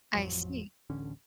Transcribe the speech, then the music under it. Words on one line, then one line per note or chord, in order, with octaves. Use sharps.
I see.
A1 F2 F3 F#3
D1 A1 D3 C#4